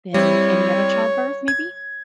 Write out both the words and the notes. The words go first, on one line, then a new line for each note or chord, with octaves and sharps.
than any other childbirth, maybe?
G3 C4 E4 C#5
G#6